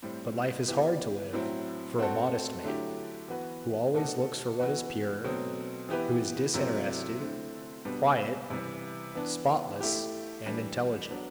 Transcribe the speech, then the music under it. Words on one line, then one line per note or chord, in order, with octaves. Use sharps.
But life is hard to live for a modest man, who always looks for what is pure, who is disinterested, quiet, spotless, and intelligent.
A2 G3 C4
E3 B3 E4 G4
A2 F#3 C4 E4
A3 C4 F#4 A4
D3 F#3 A3 E4 G4
E3 B3 F#4 B4
B2 A3 D4 F#4 A4
E3 B3 F#4 B4
B2 F#3 A3 C4
E3 B3 E4 G4 B4
C3 F#3 A3 C4 E4
D3 A3 C4 E4
B2 G3 B3 D4
C3 E3 G3
E3 B3 D4
A3 E4 G4
E3 G3 D4
F#3 B3 D4